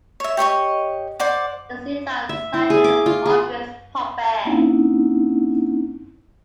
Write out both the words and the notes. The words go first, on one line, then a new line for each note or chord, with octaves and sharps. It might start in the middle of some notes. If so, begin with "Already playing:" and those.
They seemed like such an obvious pop band.
C#5 E5
G4 C#5 D#5 C#6
C5 D5 F#5 D6
E5
E4
G#4
D6
F4
G#4
A#3 C4 C#4 D#4 E4 F#5